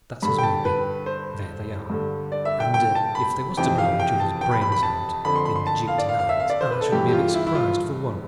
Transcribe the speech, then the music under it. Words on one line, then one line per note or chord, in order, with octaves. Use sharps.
That's as may be. There they are; and if they was to blow each other's brains out in the gig to-night, I shouldn't be a bit surprised for one.
G2 D3 B5
G5
A5
B4
C5
G2 D3
D5
E5
G5
G5
A5
B5
F2 C3 E3 G5
F5
G5
A5
G5
B5
B5
B5
A5
F2 D3 B5
C6
B5
C6
A5
F5
D5
F5
F5
E5
F5
D5
C5
B4
A4
G2 E3 G4
G4
F4
E4
E4
F4